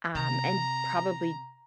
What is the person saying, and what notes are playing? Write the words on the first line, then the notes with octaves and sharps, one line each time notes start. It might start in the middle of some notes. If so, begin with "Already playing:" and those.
um, and probably
C3 A#5